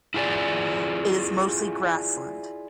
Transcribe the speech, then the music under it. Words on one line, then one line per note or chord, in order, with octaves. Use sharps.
It is mostly grassland.
E4 F4 G#4 A#4 D5